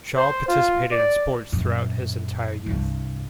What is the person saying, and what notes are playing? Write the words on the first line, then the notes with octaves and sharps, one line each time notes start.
Shaw participated in sports throughout his entire youth.
C5
F4
D5
F#2 A#2
C2 G2